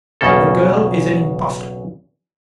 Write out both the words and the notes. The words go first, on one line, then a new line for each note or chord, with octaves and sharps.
The girl is an impostor.
B1 E2 C#3 A#3 A4